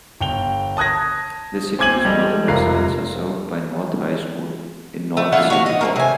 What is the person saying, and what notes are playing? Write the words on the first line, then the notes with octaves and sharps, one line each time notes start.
The city's northern residents are served by North High School in North St. Paul.
G1 G5 F7 G7
A5 D#6 F#6 G#6 A#6
C4 G#5 D6 G#6 D#7 F#7
G3 A4 D#5
F1 C3 F4 A#4 F#6 C7
A3
D4 E4 F4 F#5
F#4 F5
D#5
A3 A#3 A#4
C3 G#5